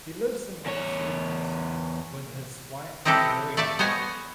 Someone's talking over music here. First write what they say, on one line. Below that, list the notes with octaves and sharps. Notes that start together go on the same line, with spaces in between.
He lives in Lake Stevens with his wife Mariah.
E2 C#5
C4 D#4 E4 G4 A4 B4
A3 D5 E5 A5
B3 C5 C#5 D#5 G#5